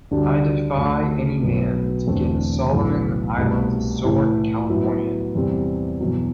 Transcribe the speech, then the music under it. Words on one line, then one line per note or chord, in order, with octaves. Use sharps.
I defy any man to get a Solomon Island sore in California.
D2 D3 G3 D4 F#4
D2 D3 A3
B1 B2 F#3 B3
E1 E2 D3 A3 C4
B1 A2 E3
C2 B2 A3
A2 E3 A3
A2 F#3 B3 E4
E2 C3 G3 C4
E2 B2 F#3